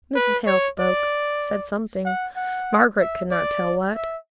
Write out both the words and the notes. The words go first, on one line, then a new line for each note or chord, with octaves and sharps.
Mrs. Hale spoke--said something--Margaret could not tell what.
B4
C#5
D5
F#5
F#5
E5
D5
E5